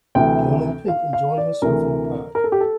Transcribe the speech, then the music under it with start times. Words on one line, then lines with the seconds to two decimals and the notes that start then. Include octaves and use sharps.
A girl in pink enjoying herself in the park.
0.15 D2 C3 E3 G5
0.88 F5
1.13 F5
1.38 D5
1.62 D2 C3 E3 A#4
2.35 A#4
2.44 A4
2.52 G4
2.61 A4